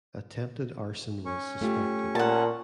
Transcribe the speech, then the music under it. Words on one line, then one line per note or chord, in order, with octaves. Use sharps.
Attempted arson was suspected.
C#4 C#6
A3 F4 G4
A#2 F#5 A5